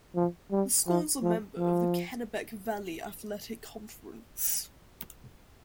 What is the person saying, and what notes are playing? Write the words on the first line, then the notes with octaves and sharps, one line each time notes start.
The school is a member of the Kennebec Valley Athletic Conference.
F3
G3
F3
F3
F3